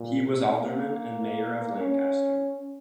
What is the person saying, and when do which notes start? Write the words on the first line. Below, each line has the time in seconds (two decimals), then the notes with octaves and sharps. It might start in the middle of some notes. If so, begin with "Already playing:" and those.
He was alderman and mayor of Lancaster.
Already playing: A#2
0.61 A#3
1.80 C#4